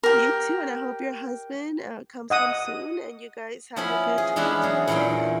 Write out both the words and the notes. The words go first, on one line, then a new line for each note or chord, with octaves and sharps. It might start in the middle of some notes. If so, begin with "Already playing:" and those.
You too, and I hope your husband, uh, comes home soon, and you guys have a good time together, a
G4 A#4
D#5 F#5 D#6
F3 B3 C#4 E4 G#5 B5
G#4
E3 G#3 B3 C#4 D4 E4
F#3 G#4
E2 A#2 F#3 E4 G#4 G5